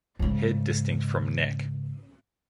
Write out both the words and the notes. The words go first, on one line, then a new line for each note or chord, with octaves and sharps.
Head distinct from neck.
G#2 C#3